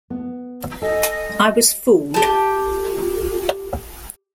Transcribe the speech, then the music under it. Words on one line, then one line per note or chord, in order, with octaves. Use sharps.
I was fooled.
B3
A4 D#5 G#5
G#3
G4 A5